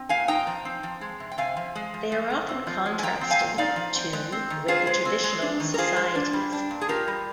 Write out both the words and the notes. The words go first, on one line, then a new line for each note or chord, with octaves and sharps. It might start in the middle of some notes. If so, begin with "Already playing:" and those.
They are often contrasted to with the traditional societies.
Already playing: C4
A#2 F5 G#5
D#4 G5 A#5
F3
C4
F3
G#3
C3
G5
C3 F5 G#5
F3
G#3
F3
G#3
C3
C4
F3
G#3
G#5
F3 G5 A#5
C4
F5 G#5
A#2
D#4 D5 F5
F3
C4
G#3
C4
D#3
F4 G#4 C5
G#3
C4
G#3
D4
D#3
A#4
F4 G#4 C5
G#3
D4
G3
D4
A#2
G#4
F4 G4 A#4
G3